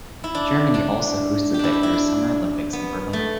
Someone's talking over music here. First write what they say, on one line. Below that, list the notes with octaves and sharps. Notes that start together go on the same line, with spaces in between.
Germany also hosted that year's Summer Olympics in Berlin.
E4
D4
D4
G4
D4 E4
G4
E4
D4
B3
A3